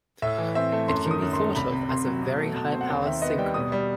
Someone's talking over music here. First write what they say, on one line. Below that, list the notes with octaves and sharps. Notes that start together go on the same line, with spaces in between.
It can be thought of as a very high power synchro.
A2 E5
E3
C4 E5
A3
F#2 C6
D#3
D#6
F#2
C6
A3
C2 B5
C3
C2 C6
F#3
B2
A3
B2 A5
C4
F#5
D#2 G5
D#3 E5
B3 D#5
G3 G5
B2 D#6
G3